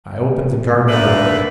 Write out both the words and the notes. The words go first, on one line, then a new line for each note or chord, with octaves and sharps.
I opened the garden door.
D#2 D3 A3 A#3 D4 B4